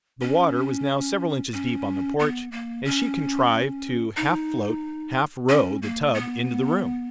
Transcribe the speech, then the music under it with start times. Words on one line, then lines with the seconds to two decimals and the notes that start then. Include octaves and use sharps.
The water was now several inches deep on the porch and she contrived to half-float, half-row the tub into the room.
0.22 C#4
1.53 C#4
2.19 B3
2.52 A#3
2.85 C#4
4.17 D#4
5.49 C#4
5.82 A#3
6.14 B3